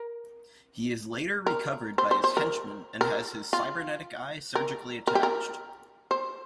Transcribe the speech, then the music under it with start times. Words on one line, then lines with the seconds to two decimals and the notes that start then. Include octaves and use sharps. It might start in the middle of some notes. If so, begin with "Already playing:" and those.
He is later recovered by his henchmen and has his cybernetic eye surgically attached.
Already playing: A#4
1.46 A#4
1.98 C5
2.11 C5
2.24 C5
2.37 A#4
3.01 A#4
3.53 F4
4.55 A#4
5.07 A#4
5.15 G4
5.23 A#4
6.11 C5